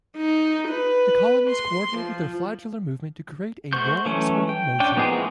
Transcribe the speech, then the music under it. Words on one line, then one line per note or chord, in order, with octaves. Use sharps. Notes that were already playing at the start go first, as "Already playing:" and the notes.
The colonies co-ordinate their flagellar movement to create a rolling, swimming motion.
D#4
B4
C6
F3
A3 F#4 C5 C#6 G6
E3 F#3 A3 C#4
G5
C#4 D4 G5
F3 A#3 B3 D#4 G#4
G#3 A#3 C4 E4 F#4